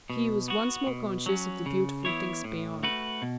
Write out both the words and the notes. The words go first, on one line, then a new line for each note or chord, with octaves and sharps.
He was once more conscious of the beautiful things beyond.
B2
B3 F#4
B2
F#3 C#4
C#3
E3 B3 E4 C#5
A2
A3 F#4 B4
B2